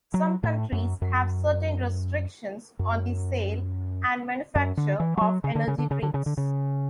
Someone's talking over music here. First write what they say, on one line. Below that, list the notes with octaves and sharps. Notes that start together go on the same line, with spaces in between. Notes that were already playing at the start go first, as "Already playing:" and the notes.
Some countries have certain restrictions on the sale and manufacture of energy drinks.
F#3
A2
F#2
F#2
F#2
F#2
D3
E3
G3
F#3
C#3
D3
C#3
D3
C#3
D3
C#3
D3
C#3